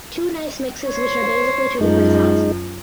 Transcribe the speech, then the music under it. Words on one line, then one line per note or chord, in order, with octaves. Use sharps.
Two nice mixes which are basically two different songs.
C5 C#5
F#2 F3 G#3 D#4